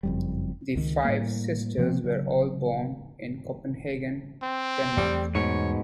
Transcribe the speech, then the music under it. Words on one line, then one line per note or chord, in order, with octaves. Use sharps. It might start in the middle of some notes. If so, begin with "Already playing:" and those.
The five sisters were all born in Copenhagen, Denmark.
F#1 F2 G3
C#2 D#3
A2 G3 A#3
C3 F3 A#3 C4
C#3 F#3
C4
E2 G3 A3
G#2 B2 C#5